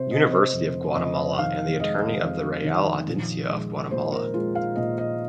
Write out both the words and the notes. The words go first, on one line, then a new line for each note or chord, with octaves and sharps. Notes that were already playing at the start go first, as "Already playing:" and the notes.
University of Guatemala and the Attorney of the Real Audiencia of Guatemala.
Already playing: C3 C5
C3 D#5
C5
F2
F2 D#5
D#3 F5
G#3 D#5
F2
D#3
A#1
G#3
A#2 C5
A#4
G#3 F4
F5
A#2 D#5
D#5